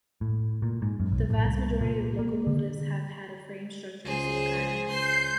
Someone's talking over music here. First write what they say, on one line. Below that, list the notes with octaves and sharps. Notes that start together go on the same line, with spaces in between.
The vast majority of locomotives have had a frame structure of some kind.
A2
A#2
G#2
F#2
B1
A2
C2
A#2
A#3
D3
C#2 G#4 C5
C#2 C5 C6 G6 C7